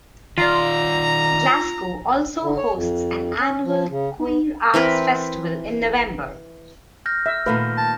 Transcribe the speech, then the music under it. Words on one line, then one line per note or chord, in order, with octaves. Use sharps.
Glasgow also hosts an annual queer arts festival in November.
D#3 F4 D5 A#5
D3
C#5
F2
C#4
F3
C#3
B3
E3 C4 A#4 B4
F6 G6 A#6
E5
A#2 D#3 A3 B4 F5
A5